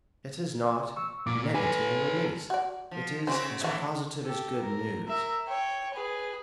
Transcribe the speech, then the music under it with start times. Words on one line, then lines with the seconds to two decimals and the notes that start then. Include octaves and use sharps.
It is not negative in the least; it is as positive as good news.
0.96 C#6 E6
1.27 A#2 D6
1.55 A4 B4 G#5
2.50 F#4 D5
2.91 F3
3.27 C#3 C4 C#4 F#4 C5
3.61 A2 D#3 E3 E4 F#4
4.23 G4 A4
4.63 A#4
5.07 A#4 E5
5.48 C#5 G5
5.94 G#4 B4